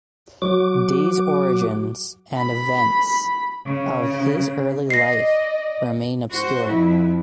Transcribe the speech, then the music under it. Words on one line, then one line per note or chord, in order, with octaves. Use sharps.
Day's origins and the events of his early life remain obscure.
F#3 F#4 D6
B5
C#3
D5 D#5 A#6 C7
F#4 C5
F2 E4